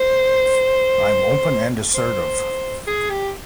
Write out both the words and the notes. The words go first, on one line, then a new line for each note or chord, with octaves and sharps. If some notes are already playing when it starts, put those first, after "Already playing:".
I'm open and assertive.
Already playing: C5
C5
G#4
G4